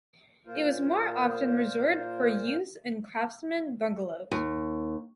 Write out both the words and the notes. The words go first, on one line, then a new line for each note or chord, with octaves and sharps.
It was more often reserved for use in Craftsman Bungalows.
A#2 A#3 F4 A#4 C5
D#2